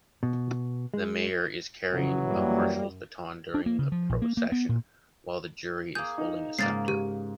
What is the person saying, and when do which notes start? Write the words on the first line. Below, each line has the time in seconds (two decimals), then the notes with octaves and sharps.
The mayor is carrying a Marshall's baton during the procession while the jury is holding a scepter.
0.23 B2
0.94 G#3
1.92 C#3 E3 F#3
2.30 F#2 G3 A#3
3.54 D4
3.66 A#3
3.79 C#3
3.92 F3
4.09 A#1
4.22 A#3
4.37 A#3
4.52 B3
4.69 A#2
5.95 A#3 G#4 G6
6.18 D#4
6.59 G#2 C#3 A#3 A6 C7
6.88 G4